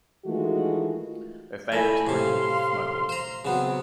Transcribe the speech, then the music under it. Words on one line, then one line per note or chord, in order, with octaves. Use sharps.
Her favourite story was The Smugglers.
D#3 E3 G#3 A3 F4 F#4
A3 E4 G#5 B5
A2 C3 F5 C6
C5 A#5
C#3 F#3 B3 C4